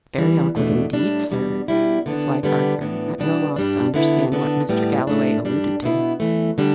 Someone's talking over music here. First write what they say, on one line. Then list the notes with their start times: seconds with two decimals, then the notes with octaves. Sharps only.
"Very awkward, indeed, sir," replied Arthur, at no loss to understand what Mr. Galloway alluded to.
0.17 E2 E3 G3
0.55 E2 B2 A3 D4
0.93 A2 G3 D4
1.30 E2 B2 G3
1.68 B2 G3 E4
2.06 D3 B3 D4
2.43 D3 G3 B3
2.81 A2 E3 B3 D4
3.18 B2 G3 B3 D4
3.56 G2 G3 D4
3.94 D3 B3 E4
4.32 D3 B3 D4
4.69 A2 G3 B3
5.07 A2 A3 D4
5.45 G2 G3 D4
5.82 B2 B3 E4
6.20 E2 E3 A3
6.58 D3 G3 D4